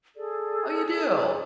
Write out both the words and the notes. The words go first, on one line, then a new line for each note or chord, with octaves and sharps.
Oh, you do?
G#4 A4 D5